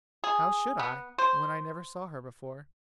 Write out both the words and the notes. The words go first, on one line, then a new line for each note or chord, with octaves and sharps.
"How should I, when I never saw her before?"
G#4
B3
C5